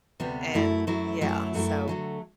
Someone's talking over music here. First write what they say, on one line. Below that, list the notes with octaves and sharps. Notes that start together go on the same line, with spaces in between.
And yeah, so.
D2 C3 G3 B3
F#2 F#3 A3 E4
F#2 F#3 A3 E4
F#2 F#3 A3 E4
F#2 F#3 A3 E4
D3 F#3 A3